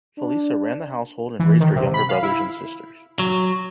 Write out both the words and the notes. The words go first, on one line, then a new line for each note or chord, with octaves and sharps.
Felisa ran the household and raised her younger brothers and sisters.
D4
E3
D#3
C3
B5
F5
E4
F#3